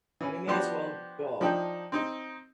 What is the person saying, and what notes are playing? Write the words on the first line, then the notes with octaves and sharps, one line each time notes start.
we may as well go,"
E3 C#4
F3 B3 D4 F#4 G4 C6
F3 D4 D#4 G5
C4 D#4